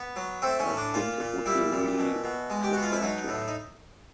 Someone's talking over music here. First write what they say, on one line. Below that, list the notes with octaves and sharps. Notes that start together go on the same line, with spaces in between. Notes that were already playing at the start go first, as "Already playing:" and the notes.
I think it would be really cathartic.
Already playing: B3
F#3
A3 C4
C#4
A2
D4
A#2 F4
A#2
G3 E4
A#2
B2
B2
G#3
G4
B2 F#4
F4
E4
F#3 D#4
A2
D#4